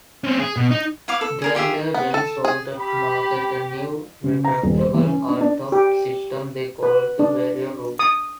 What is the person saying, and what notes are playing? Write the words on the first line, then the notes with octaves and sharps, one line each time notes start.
Daimler-Benz wanted to market a new retractable hardtop system they called the "Vario-Roof".
C4 C#4
G#4
B2
D#4
E4 B4 F5 D6
A4
G#4 A#4 G#5
F4 G4 G#4 E5
B3
A4
G#4
G4 B5
C#3
A#5
D#1
C5
E3
C#4
D4
D4
G4
B4
D4
D#6